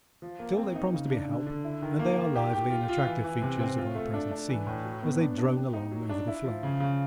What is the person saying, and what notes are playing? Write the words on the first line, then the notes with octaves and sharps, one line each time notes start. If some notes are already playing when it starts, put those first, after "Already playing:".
Still they promise to be a help, and they are lively and attractive features of our present scene as they drone along over the floe.
F3
A#3
C4
D#4
C#3
D4
D3
D3
E4
D#3
A#3
D#3
G4
G4
F4
F4
E3
E3
C3
C4
F4
A3
D4
D4
E3
A2
F#3
B3
D4
D4
G4
D#4
F#3
D4
E4
F3
C#3
C#3